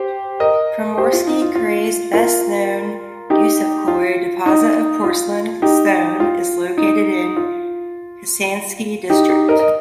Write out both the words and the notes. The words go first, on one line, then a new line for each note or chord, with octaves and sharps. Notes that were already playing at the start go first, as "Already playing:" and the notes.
Primorsky krai's best-known Gusevskoye deposit of porcelain stone is located in Khasansky District.
Already playing: G4 C5
A#4 D#5
G4 C5
F4
D#4
F4
F4
F4 A#4
D#4 G4
F4
D#4
F4
D#4 G4
F4
D#4
F4
D#4 G4
D#4 G4
A#4 D#5
D#5